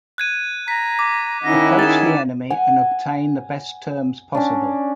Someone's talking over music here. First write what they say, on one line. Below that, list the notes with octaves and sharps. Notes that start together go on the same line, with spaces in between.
Approach the enemy and obtain the best terms possible.
F#6 G#6 D#7
A#5 B6
D6
D#3 C#4 D#4 E4 F#5 A#6
G#4 A6 E7
F#5 G#5
C#4 D4